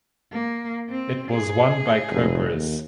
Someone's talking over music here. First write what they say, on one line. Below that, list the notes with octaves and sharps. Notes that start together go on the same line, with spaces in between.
It was won by Cobras.
A#3
C4
G#4
F1
D#2